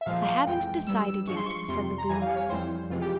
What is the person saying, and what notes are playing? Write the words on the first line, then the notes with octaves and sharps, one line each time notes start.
"I haven't decided yet," said the Boolooroo.
E5
A#2 F3 G#3 F5
F2 E3 G#3 G5
G2 G3 E6
G2 F3 G#3 C#6
C6
C#6
F2 C3 G3 C6
A#5
F2 E3 G3 G#5
F5
C#5
F2 E3 G3 C5
F2 C3 E3 G#3 F4
G4